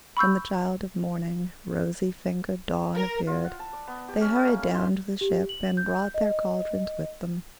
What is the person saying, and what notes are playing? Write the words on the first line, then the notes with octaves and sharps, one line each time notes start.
When the child of morning, rosy-fingered Dawn, appeared they hurried down to the ship and brought their cauldrons with them.
B5 C#6 E6 G6
A#4
F4
F#5
A5
D5
B3
G4
C#4
A3
A#3
E4
C6
G4
F#7
G6
D#5